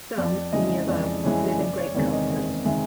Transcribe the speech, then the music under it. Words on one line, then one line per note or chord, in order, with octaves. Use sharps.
Some - in the Above - live in great comfort.
F2 D5
C#3 E3 G#3 D#5
F2 D5
C#3 E3 G#3 C#5
F#1 D5
C#5
E2 C3 D#3 G#3 D5
D#5
F#1 D#5
C3 D#3 G#3 E5